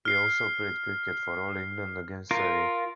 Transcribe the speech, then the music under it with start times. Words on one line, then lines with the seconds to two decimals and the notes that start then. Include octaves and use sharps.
He also played cricket, for All England against Surrey.
0.05 F6 C7
2.31 F4 A#4